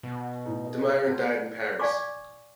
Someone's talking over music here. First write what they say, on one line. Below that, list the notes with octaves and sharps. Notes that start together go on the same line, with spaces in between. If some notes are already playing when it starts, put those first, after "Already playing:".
Damiron died in Paris.
B2
A2 D#4 G#4
A#4 D#5
B3 B4 C5
D5 F5 G#5 C#6 D6